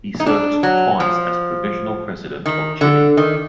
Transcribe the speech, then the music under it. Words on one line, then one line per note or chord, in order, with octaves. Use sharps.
He served twice as provisional president of Chile.
D#4
D4
F#3
F3
D#3
D3
D#3